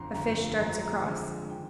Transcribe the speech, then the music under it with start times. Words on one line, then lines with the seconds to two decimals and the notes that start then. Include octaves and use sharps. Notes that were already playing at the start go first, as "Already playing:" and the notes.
A fish darts across.
Already playing: G1 F2 D3 A#5 C6
0.14 G1 F2 D3 A#5
0.59 F2 D3 F3 G#3 A#5
0.82 A#5
1.04 F2 D3 F3 G#3 G#5
1.50 D#3 G5